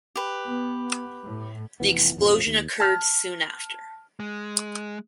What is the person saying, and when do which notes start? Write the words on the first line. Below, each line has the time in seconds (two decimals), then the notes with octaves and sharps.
The explosion occurred soon after.
0.16 G4 B4
0.45 B3
1.23 A2
1.80 F1 D#2 E3 B3
2.17 A1 F2 B2 F3
2.47 D#2
2.80 A5 F6
4.20 G#3